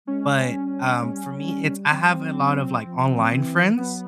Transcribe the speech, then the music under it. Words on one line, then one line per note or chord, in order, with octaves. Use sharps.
but, um, for me, it's I have a lot of, like, online friends,
G#3 C#4
G#3
G3
G#3
G3
F#3
G3
F#3 C4
G3
F#3
F3
E3
F#3 B3